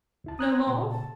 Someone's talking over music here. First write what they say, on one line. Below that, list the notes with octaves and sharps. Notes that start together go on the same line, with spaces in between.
"No more?"
D2 E4 A5
A#5 D#6 F#6 G#6
A#2 C#3
A5